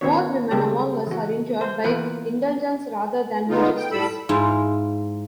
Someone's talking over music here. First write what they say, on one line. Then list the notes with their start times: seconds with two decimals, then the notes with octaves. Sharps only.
More women among us are injured by indulgence rather than injustice.
0.01 D#3 B3 C#4 D4 F#4 C#5
0.51 C#3 G3 G#3 C#4 G4 A4
1.07 E3 F#4
1.61 C5
1.84 E3 A#3 B3 F4 B4
3.49 D3 G#3 B3 D#4 F4
3.77 G5
3.91 A2 G3 A4 B5 E6
4.29 G#2 E4 F4